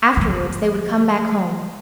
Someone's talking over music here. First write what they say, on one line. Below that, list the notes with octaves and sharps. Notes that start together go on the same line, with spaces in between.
Afterwards they would come back home.
D3 F3